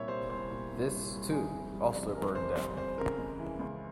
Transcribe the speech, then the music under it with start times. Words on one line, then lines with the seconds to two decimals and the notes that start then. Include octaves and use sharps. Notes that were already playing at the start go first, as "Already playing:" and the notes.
This, too, also burned down.
Already playing: C2 A#2 C#5 E5
0.08 G3 C5
0.29 C2 C5
0.50 A#2
0.71 C2
0.91 G3
1.12 C2
1.32 E3 G#4
1.53 F2
1.73 G3
1.95 F2
2.15 E3 A#4
2.35 F2 C5
2.57 G3
2.77 F2 C5
2.98 C#3 A#4
3.18 G#3
3.39 E3
3.59 C#2